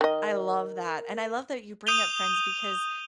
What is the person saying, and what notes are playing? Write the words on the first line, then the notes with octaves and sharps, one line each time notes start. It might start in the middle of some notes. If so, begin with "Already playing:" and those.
I love that and I love that you bring up friends because
D#3 A#4 D#5
D#6 G6 D#7 F7 G7